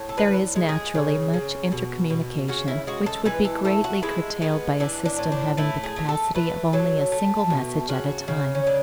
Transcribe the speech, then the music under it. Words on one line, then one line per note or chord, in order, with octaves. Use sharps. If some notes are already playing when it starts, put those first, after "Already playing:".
There is naturally much intercommunication, which would be greatly curtailed by a system having the capacity of only a single message at a time.
Already playing: A2
A4
D3 B4
G#3
G#4
C#3
C#3
B2
B2
C#3 F#4
E4
G#3 F#4
A4
E3 B4
A4
A3 A4
F#4
G#3 E4
G#3 B3
E3 D4
D4
A2
D4
A3 E4
G#4
A3
A4
A3 B4
F#3 A4
A3
B2
C#3 F#4
C#3
C#4
D3 D4